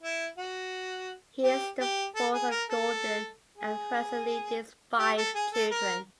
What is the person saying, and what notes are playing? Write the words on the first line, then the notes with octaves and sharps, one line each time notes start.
He is the fourth of Gordon and Frances Liddy's five children.
E4
F#4
G4
G4
A4
G#4
A#4
A4
G#4
G4
A4
G#4
A4
A#4